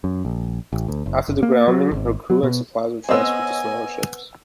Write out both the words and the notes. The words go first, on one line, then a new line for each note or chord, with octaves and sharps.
After the grounding her crew and supplies were transferred to smaller ships.
F#2
A#1
A1
D2
F#1
G1
A#3
F#3
G#1
F#3
B2
B3 C4 C#5 D#5 G#5 E6